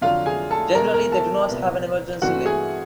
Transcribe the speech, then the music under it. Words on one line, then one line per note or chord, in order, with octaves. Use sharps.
Generally, they do not have an emergency lane.
F2 D3 F#3 F4 F5
G#4 G#5
A4 A5
E2 B2 G#3 A#4 A#5
A#4 A#5
A4 A5
C2 A#2 G3 B3
G2 E3 A3 C4 F#4 F#5
G#4 G#5